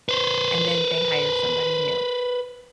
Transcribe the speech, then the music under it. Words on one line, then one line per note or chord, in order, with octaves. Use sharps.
and then they hired somebody new
B4 C5